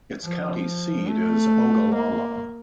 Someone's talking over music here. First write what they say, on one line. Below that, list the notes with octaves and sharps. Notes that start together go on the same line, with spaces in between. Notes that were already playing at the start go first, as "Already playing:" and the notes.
Its county seat is Ogallala.
F3
A3
A#3